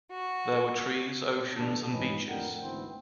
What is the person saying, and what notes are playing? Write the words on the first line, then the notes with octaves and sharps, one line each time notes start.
There were trees, oceans and beaches.
F#4
A1 D2 G2 D4 A4
G#2 E3 F3 C#4 B4 D#5
F2 A2 D3 A#4 F#5 G5
G#1 D2 E3 B3 C4 G5